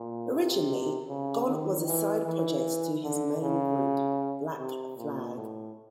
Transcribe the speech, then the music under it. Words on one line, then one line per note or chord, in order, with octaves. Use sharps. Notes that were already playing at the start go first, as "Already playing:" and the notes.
Originally, Gone was a side project to his main group, Black Flag.
Already playing: A#2
C3
C#3
D#3
E3
E3
D3
C#3
C3
A#2
A2